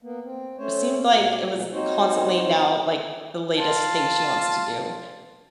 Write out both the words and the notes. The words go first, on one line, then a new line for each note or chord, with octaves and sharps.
seemed, like, it was constantly now, like, the latest thing she wants to do,
A#3 B3
C4
A3 C#4 C5 C#5
A#2 G3 A#3 F#4
B2 F3 F#3 G#3 A#3
C4 D#4 F#4 C5 C#5
F4 A5